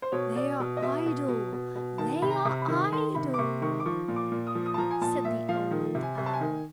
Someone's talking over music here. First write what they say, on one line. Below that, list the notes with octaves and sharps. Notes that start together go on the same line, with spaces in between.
"They are idle, they are idle," said the Old Owl.
C5
B2 C#5
B2 D5
B2
D#5
B2 E5
B2
B2
B2
B2
D#3 A5
C3 B5
A#5
C3
B5
D#3
D#3 C6
C3 B5
D6
C3 C#6
D#3 C#6
D6
F3 C#6
A#2
D6
A#2
D#6
F3
D#6
A5
F3 A#5
G#5
A#2 A5
A#2 E5
F3 F5
D#3
C3
G#5
C3
A5
G#5
D#3